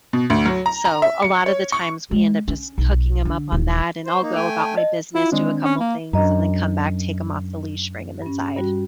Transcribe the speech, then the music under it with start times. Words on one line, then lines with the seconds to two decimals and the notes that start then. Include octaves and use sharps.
so, a lot of the times, we end up just hooking him up on that, and I'll go about my business, do a couple things, and then come back, take him off the leash, bring him inside.
0.13 B2
0.30 D2
0.46 F#3
0.66 A#5
0.85 A#5
1.02 E5
1.22 C#7
1.46 C#5
1.72 C#6
2.11 G#3
2.48 C#4
2.78 B1
3.25 D3
3.52 D#1
4.05 C5
4.22 A#3 D#4
4.36 A3 G5 G#5
4.60 A5
4.77 D#5
5.15 E4 F4
5.32 D#3 G#3 C4 D4
5.64 C#4
5.80 A#3
6.13 F#2 D4 D#5 A#5
8.22 G2 C#4
8.57 G2 G3 F#4